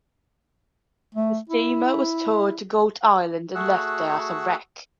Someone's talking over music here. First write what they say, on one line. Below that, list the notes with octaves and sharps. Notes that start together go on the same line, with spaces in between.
The steamer was towed to Goat Island and left there as a wreck.
A3
E4
A3 F#4 G#4 F#5 E6 F#6